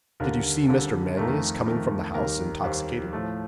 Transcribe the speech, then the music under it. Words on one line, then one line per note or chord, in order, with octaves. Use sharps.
"Did you see Mr. Manlius coming from the house intoxicated?"
D#2 D3 G3 A#4
D#2 D3 G3 A4
F2 D#3 A3 A#4
F2 D#3 A3 A#4
D#2 D#3 G3 A#4
D#2 D#3 G3 C5
A2 F3 A3